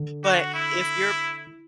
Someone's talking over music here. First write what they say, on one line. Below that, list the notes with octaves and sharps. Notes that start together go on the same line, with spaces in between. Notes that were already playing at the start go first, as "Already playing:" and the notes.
but if you're
Already playing: D3
F#4
E4
E4